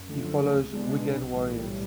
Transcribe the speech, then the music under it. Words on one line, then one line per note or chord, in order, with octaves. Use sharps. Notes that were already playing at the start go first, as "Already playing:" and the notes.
He follows Wigan Warriors.
Already playing: F#2
D3 F3 A3
F#2
D3 F3 A3
C#2
B2 G#3 B3 D4
C#2
B2 G#3 B3 D4
B1
A2 E3 G3
B1
A2 E3 G3